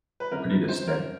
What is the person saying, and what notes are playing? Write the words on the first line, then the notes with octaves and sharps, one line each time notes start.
pretty distinct,
B4
G1 F2 C#3 A#4
B4
C5
A#4